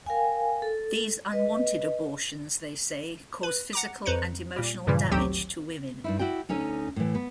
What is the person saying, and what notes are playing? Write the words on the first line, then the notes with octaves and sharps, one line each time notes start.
These unwanted abortions, they say, cause physical and emotional damage to women.
A#4 F5 G5 G#5
A4
B4 D#5
B4
F#5 A#5 D6
F2 B4 C5 A#5 C#7
A#2 G3
G2 A#2 C#3 E3 F3 G3
G#1 D2 F#3 C4 G4 C5
G2 D#4 E4
E4 F#4 D5 G5
D2 C#4 D#4 A4
A2 E3
B3